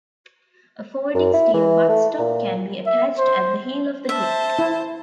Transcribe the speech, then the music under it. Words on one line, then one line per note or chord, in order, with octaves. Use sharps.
A folding steel buttstock can be attached at the heel of the grip.
F#2
E4
E3
A3
A#2
E5
C5
C5 E5 A5
E4